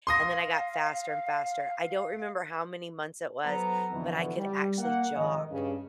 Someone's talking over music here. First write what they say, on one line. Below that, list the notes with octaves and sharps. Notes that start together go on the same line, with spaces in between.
and then I got faster and faster. I don't remember how many months it was, but I could actually jog
F5 C6 D#6 A#6
F#3 B3 A4 C5 A#5
F2 B2 D3 E3 B3
G3
A#3 F#5
G#1 F2 D#3 D#5
G2 C#3